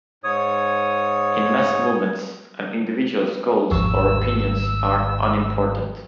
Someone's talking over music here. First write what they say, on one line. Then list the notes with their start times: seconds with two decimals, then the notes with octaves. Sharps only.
In mass movements, an individual's goals or opinions are unimportant.
0.24 G#2 C#5 D#6
3.71 G#1 D#2 F3 C#6 E6